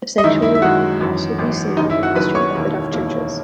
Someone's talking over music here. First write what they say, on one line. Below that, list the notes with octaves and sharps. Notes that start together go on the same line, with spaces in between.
The sanctuary lamp may also be seen in Eastern Orthodox Churches.
D#5
F#2 D#3 G#3 D#4 E4 E5
E4 E5
E5
F#2 D#3 G#3 D#4 F#4 F#5
G#1 F#2 E3
G#1 F#2 E3
F#1 F#2 D#3 D#4 D#5
E4 E5
F#4 F#5
F#1 F#2 D#3 B4 B5
C#5 C#6
E1 D#2 D#3 A#3 E4
E1 D#2 D#3 A#3 E4